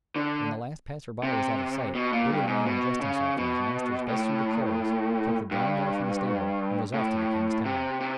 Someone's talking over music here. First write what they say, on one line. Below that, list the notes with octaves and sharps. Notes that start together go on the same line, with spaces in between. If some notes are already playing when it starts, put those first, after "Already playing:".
When the last passer-by was out of sight, Billy ran and dressed himself in his master's best suit of clothes, took the brown mare from the stable, and was off to the king's town.
D3
C3
B2
A#2
G2
G#2
B2
C#3
B2
A2
G2
A2
C3
C3